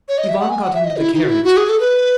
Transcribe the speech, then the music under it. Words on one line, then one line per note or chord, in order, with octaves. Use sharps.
Ivan got into the carriage.
C#5
D#5
E5
F#5
G#5
F#5
E5
D#5
E4
D#4
F#4
E4
F#4
G#4
A4
B4